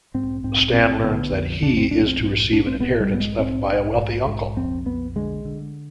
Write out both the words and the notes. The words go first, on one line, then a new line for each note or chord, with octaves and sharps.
Stan learns that he is to receive an inheritance left by a wealthy uncle.
G#2 C4
G#2 C4
G#2 C4
D3 B3
F2
F2 D4
C4
F2 D4
C4
G#2
G#2 D4
C4
G#2 B3
G3
G#2 B3
G#3
G#2 C4
G#2
G#2
G#2
F2 C4
F2 B3
D3 G#3
D3